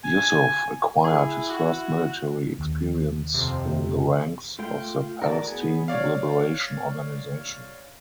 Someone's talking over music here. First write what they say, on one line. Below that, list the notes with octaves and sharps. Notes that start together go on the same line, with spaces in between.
Yusuf acquired his first military experience in the ranks of the Palestine Liberation Organization.
G#5
E4 G#4
F#4
D#2
F2 C3
A3 F4 F5 G5
E4 F#4 A#4 D5 A5
B3 G#4 G#5
C#5 D5 F5